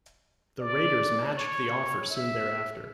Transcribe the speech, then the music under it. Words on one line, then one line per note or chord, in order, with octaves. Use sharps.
The Raiders matched the offer soon thereafter.
D5
C#5
E5